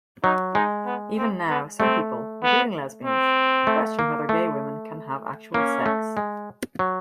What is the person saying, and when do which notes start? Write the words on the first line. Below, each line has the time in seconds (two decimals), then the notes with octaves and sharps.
Even now, some people-including lesbians-question whether gay women can have actual sex.
0.24 F#3 D#4
0.54 G#3 D#4
0.86 B3
1.18 C4
1.49 B3
1.80 A3 C4
2.43 B3
3.05 C4
3.67 A3
3.99 A#3
4.29 A3
5.54 A#3 C#4
5.86 A3
6.17 G#3
6.79 F#3